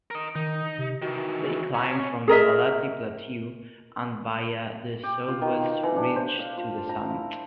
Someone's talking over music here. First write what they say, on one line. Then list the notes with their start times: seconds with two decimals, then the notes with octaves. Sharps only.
They climbed from the Balati plateau and via the southwest ridge to the summit.
0.11 A#4 D#5 D7
0.36 D#3 D#4
0.78 C3
1.02 D#3 E3 F#4
1.75 C#4 C#5 A#5
2.28 G#4 A#4 D#5 E5
5.03 G4
5.28 F4
5.42 D#3
5.83 E3
5.96 D4
6.16 C5
6.39 F5
6.57 F4
6.89 A#5
7.10 E4